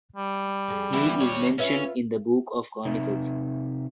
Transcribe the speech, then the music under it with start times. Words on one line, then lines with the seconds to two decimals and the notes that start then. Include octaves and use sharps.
He is mentioned in the Book of Chronicles.
0.16 G3
0.68 F2 G#4
0.93 E3 B3 E4 F#4
1.21 D#2 C#5 D5
1.58 C#4 F4 B4 E5
2.85 C3 D#4 E5